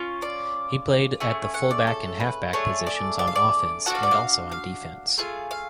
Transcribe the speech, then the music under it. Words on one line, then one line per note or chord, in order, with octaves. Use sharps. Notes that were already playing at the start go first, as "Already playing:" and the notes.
He played at the fullback and halfback positions on offense and also on defense.
Already playing: C#4 F4
D5
A3 C#4 G#4
F#5
D5
A4
B4
A3 D4 G#4 C#5
D5
D5
F5
D5
D4 F#4 A4 F#5
F5
D5
F5
F5
A3 F4 G#4 F5
F5